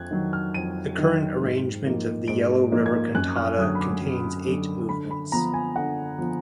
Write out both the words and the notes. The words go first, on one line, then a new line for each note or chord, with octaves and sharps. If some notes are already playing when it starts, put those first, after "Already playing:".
The current arrangement of the "Yellow River Cantata" contains eight movements.
Already playing: F2 F#6 G#6
D#3 F#3
F6
F2 D#7
D#3 F#3
G#2
F3 A#3 D#4
G#2 D7
F3 A#3 D#4
G#6
F#2 F#6
F6
D3 F#3 D#6
B5
D6
F#2
D3 F#3
D3 B5
B5
F3 B3 A#5
G#5
D3 F#5
F3 B3